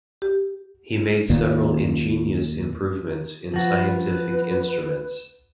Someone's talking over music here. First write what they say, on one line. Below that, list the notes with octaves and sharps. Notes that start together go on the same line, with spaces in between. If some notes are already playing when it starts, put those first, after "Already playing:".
He made several ingenious improvements in scientific instruments.
G4
D#2 A#2
F3 F#4 B4